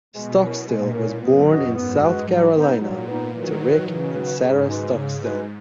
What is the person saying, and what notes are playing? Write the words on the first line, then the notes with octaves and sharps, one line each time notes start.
Stockstill was born in South Carolina to Rick and Sara Stockstill.
B2 G#3
C#4 E4 A#4
A#2 G#3
C#4 E4 A#4
F#2 B3
F#4 B4 D#5
G#2 B3
F#4 B4 D#5
F#3
B3 D#4
A#2 F#3
B3 D#4
D#3 E3 F#3
B3 F#4 B4
C#3 E3
B3 F#4 B4
G#2 C#3
G#3 D#4 F#4 B4
C#3
G#3 D#4 F#4 B4